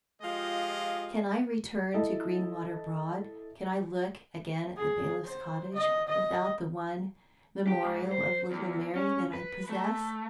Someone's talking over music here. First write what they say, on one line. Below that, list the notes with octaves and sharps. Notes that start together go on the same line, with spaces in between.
Can I return to "Greenwater Broad," can I look again at the bailiff's cottage, without the one memorial of little Mary that I possess?
F3 G#3 F4 G4 D#5
E4 A4 D#5
G#4
C5
D#5
D#5
G4
G#2
C5
E2
C#4
B4
A3